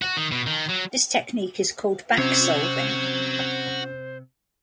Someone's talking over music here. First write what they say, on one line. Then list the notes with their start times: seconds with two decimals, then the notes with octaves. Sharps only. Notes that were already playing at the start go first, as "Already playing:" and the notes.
This technique is called backsolving.
0.02 F#4
0.17 D#3
0.32 B2
0.47 D#3
0.69 F#3
2.18 C3 C4 C#4 F#4 C5 C#5